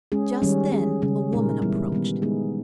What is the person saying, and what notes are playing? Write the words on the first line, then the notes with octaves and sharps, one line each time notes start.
Just then a woman approached.
G#3 C#4 G#4
D#3 G3 C#4
G#3 C#4 G#4
C#3 G3 C#4 G#4
A#2 G#3 D#4 A#4
E3 G3 B3 E4
D#3 G3 B3
G#3 B3 D#4 G#4